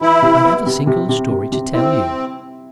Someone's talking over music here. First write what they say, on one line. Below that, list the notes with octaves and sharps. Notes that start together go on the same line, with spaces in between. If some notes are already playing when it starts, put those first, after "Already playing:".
I have a singular story to tell you.
E3 E4
C3
B3
C3
C3
C3
C3
C3
C4 E4